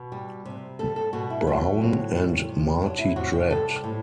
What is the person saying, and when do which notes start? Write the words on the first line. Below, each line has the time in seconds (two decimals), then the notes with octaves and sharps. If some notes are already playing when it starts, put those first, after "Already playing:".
Brown, and Marty Dread.
Already playing: B2 B4
0.12 G3
0.45 C3
0.79 G3 A4
0.96 A4
1.13 B2 F#4
1.30 E4
1.47 F#3
1.81 A2 C4
2.14 G3 C4
2.49 C3
2.83 F#3 D4
2.99 E4
3.16 C3 F#4
3.33 G4
3.50 G3 A4
3.84 A2